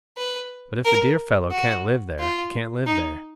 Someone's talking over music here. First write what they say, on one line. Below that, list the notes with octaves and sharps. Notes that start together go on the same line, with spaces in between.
But if the dear fellow can't live there, he can't live there.
B4
A#4
F#4
F4
D#4